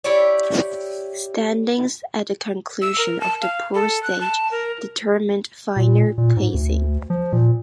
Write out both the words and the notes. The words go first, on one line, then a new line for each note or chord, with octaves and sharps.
Standings at the conclusion of the pool stage determined final placings.
E4 G4 C#5 D5
E6
A#4
A5
F5
A4
F#6
A5
A#4
A#2
A#2
G#2
D2
F3
A#2